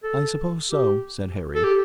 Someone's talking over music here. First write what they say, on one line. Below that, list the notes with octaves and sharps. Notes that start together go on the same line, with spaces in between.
"I suppose so," said Harry.
A4
G4
A4
G4